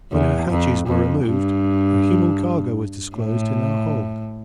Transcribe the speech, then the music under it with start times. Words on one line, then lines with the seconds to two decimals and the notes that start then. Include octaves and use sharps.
When her hatches were removed, a human cargo was disclosed in her hold.
0.12 E2
0.50 F2
0.88 F2
1.26 G2
3.16 A2